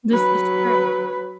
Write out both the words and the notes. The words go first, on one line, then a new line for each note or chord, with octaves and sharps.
This is true.
F#3 B4